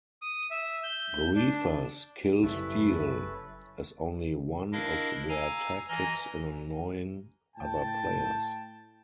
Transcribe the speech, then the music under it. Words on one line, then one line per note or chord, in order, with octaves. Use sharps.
Griefers kill steal as only one of their tactics in annoying other players.
D#6
E5
G6
D4
F#1 G3 C#4 E4 A4 B4 E5
D4 E4 A#4 D#5 F5
F5 G#5 A#5 E6
E3 D#5 G#5 A#5 F6
A2 G5 A5